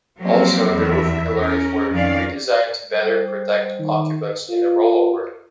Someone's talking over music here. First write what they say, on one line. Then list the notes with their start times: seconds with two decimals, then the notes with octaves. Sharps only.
Also, the roof pillars were redesigned to better protect occupants in a rollover.
0.18 F3 F#3 A#3 C4 G4
0.70 E2 E5
1.36 C#4 A#4
1.92 F2 D#3 C#4 D5 F5
2.91 G3 C5
3.80 D#3
4.49 F4